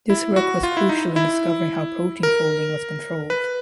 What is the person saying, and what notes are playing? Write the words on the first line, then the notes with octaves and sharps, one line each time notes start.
This work was crucial in discovering how protein folding was controlled.
E4
F#4
F4
E4
D#4
E4
A#4
B4